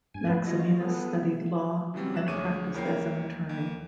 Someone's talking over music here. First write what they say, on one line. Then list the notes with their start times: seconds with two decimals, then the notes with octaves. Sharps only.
Maximinus studied law, and practiced as an attorney.
0.14 G2 G#5
0.29 E3 A3 B3 B4
0.47 F4 F#4 D#5
0.80 B3 G#4 A4 B4
1.19 C3 E4
1.94 C#3 E3 F#3 G3 C4
2.14 A#1 F#3 F#6 E7
2.28 D2 G#4 C#5 C#6 D6 D#7
2.74 D#2 E4 A#4 C#5 G5 C7
3.49 D#2